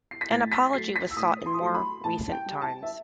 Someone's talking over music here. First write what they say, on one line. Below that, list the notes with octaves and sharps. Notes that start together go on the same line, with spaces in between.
An apology was sought in more recent times.
C7
B6
A2 A6
B6
F#3 A3 C7
B6
E6
A2 D#6
C6
D#6
F#3 A3 C6
B5
A2 A5
G5
G3
A5
E5